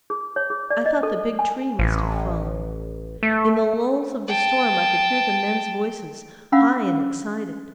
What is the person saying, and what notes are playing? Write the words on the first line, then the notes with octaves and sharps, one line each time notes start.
I thought the big tree must have fallen. In the lulls of the storm I could hear the men's voices, high and excited.
G#4
C#5
G#4
D5
D#5
A4
G#5
A1
A3
G5 A5
C#4 D4 F5 F#5 B5 E6